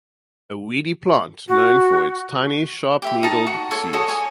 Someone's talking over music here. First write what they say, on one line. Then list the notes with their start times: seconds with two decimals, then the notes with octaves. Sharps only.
A weedy plant known for its tiny sharp-needled seeds.
1.48 F#4
3.02 G4 E5 B5
3.23 D#4 A5
3.47 F#4
3.71 A4 C#5
3.93 F#4 A4 C#5 D#5
4.08 C#5 G#5